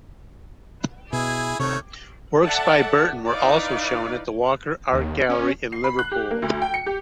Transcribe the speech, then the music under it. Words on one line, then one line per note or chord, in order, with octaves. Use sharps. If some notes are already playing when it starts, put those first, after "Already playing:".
Works by Burton were also shown at the Walker Art Gallery in Liverpool.
B2 E4 G#4
C3 D#3 A3 C#5
A4 D5 E5 F#5 A5
D#4 E4 B4 D5 F5
D#2
C#4
C7
B5
F#6
G4
A#3
D2
G5
C#7
G4